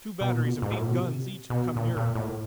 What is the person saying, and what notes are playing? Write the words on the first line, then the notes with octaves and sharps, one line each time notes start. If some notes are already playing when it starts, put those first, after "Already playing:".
Two batteries of eight guns each have come nearer.
B2
A#2
B2
G#2
A2
A#2
B2
C3
B2
A#2
A#2
A2